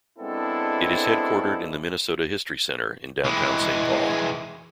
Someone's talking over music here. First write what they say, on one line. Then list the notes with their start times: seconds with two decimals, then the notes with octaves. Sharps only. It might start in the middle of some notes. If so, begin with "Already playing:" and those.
It is headquartered in the Minnesota History Center in downtown Saint Paul.
0.19 G#3 B3 C4 D4 E4 A4
3.25 E3 G#3